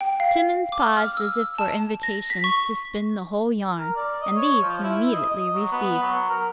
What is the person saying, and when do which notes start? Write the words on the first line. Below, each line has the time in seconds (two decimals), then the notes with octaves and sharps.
Timmans paused as if for invitations to spin the whole yarn, and these he immediately received.
0.01 G5
0.20 F5
0.72 D6
0.97 F6
1.17 E6
1.58 A5
2.03 A#6
2.30 B6
2.44 C#6
3.78 A#4
3.96 D5
4.22 D#5
4.36 C#5
4.62 F3
4.83 E4
5.13 D#5
5.31 D#5
5.54 F#3
5.72 B3
6.02 F#3
6.29 A#4